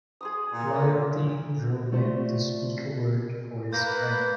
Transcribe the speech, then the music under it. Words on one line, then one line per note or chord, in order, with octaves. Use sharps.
Loyalty drove him to speak a word for his friend.
G#4 C6 D#6
A#2
A3 F4 F#4 C5 D5
A#3 B4 B5 G6 A#6